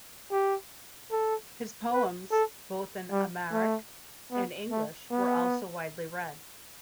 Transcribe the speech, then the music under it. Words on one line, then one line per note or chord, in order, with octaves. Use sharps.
His poems, both in Amharic and English, were also widely read.
G4
A4
B4
A4
G3
A3
B3
A3
B3